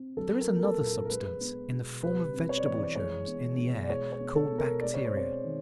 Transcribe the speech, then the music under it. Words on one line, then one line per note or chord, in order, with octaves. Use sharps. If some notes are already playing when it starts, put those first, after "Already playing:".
There is another substance in the form of vegetable germs in the air called bacteria.
Already playing: C4
F#3 A4
A#4
A#3
A#4
A4
A#2
A#4
A#4
G#3 B4
B3
B2
G3 B4
C4
C#5
D5
E3 C#5
D5
C#5
G#3 C#5
B3
B2
D5
G#3 C#5
C#5
B3
A4
B2
A#4
G#3 D5
C#5
C5
C4 C#5
D#3